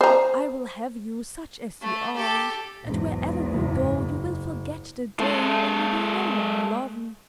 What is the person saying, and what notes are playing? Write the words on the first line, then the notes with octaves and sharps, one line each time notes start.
I will have you, such as you are, and wherever we go you will forget the day when you will no longer love me.
C5 A#5
A3
G4 A4
B1 E2 G#2
F#1
G#3 A4